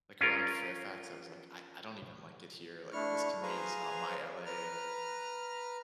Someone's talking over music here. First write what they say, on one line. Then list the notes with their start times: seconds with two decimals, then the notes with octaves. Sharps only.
Like, around Fairfax, I was like, "I I don't even like it here," like, "this to me is not my LA,
0.21 C#4 F4 A#4
2.92 A3 D4 E4 C#6 F6
3.42 G#4 B4 C5 F5 G#5 A#5
4.46 B4 A#5 F6